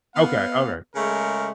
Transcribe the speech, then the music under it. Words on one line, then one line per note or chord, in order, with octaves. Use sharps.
Okay, alright.
B3 F5
C#3 G#3 A3 A#4